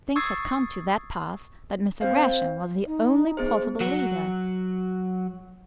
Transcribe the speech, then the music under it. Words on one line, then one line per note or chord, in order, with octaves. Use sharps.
Things had come to that pass that Mr. Gresham was the only possible leader.
C#6 D#6 E6 G#6 A6 C7
C4 C5 F5
D#4
B3 G#4 C5
F#3 F#4